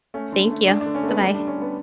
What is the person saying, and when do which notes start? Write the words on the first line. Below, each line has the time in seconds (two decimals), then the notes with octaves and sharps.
Thank you. Goodbye.
0.14 A3 C#4
0.32 D3
0.51 A3
0.68 A3 D4
0.81 D3 D4
0.95 C#4
1.03 A3 B3
1.21 G3 D4
1.34 D3 D4
1.47 C#4
1.57 G3 B3